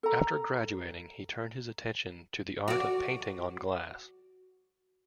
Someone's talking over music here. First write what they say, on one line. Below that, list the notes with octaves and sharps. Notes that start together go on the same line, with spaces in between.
After graduating he turned his attention to the art of painting on glass.
A4 A#5
F#4 D5